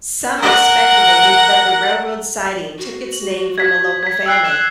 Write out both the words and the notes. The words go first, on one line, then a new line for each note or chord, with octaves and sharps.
Some have speculated that the railroad siding took its name from a local family.
A#4 F#5
F#4
F#7
G#6 B6
G#6 B6
G5 E6 F#6 C7
F#6 E7